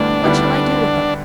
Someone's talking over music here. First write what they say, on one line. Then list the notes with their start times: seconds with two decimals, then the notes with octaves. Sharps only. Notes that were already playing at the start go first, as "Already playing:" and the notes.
What shall I do with them?'
Already playing: D2 D3 G3 B3 D4 E4
0.23 D3 G3 B3 E4